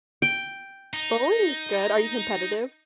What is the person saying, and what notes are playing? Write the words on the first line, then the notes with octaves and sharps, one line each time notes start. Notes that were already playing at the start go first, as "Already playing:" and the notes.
bowling's good. Are you competitive?
G5
D#4